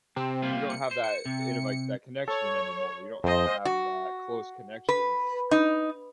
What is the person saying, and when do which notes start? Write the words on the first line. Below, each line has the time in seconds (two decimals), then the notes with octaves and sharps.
you don't have that, you know, like, that connection anymore, you don't have that close connection.
0.16 C3 C4
0.42 G3 A#3 F4
0.70 C#7
0.91 C5
1.04 C#7
1.25 C3
2.28 A4 C#5
3.24 F2 C5 D#5
3.65 F#4
4.89 B4
5.51 D#4